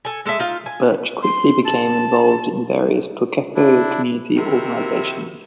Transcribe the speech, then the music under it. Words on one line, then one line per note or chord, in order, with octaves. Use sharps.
Birch quickly became involved in various Pukekohe community organisations.
A4 G#5
G#3 A4 D#5 E5
D#4 F4
G#5
C6
A5
D4 E4
C3 D#3 E4 F#4 A#4